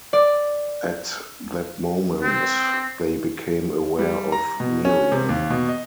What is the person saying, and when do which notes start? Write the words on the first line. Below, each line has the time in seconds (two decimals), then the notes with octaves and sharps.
At that moment they became aware of Miriam.
0.13 D5
2.22 C4
3.99 G3
4.32 A#5
4.60 B2
4.85 C#4
5.12 C3
5.29 D#2
5.50 B2
5.69 D#5